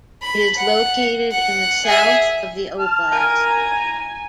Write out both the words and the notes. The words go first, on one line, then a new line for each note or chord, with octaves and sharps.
It is located in the south of the oblast.
B5
F#5
F#5
G#4 E5
A5 F6
A#4 G#5
A#5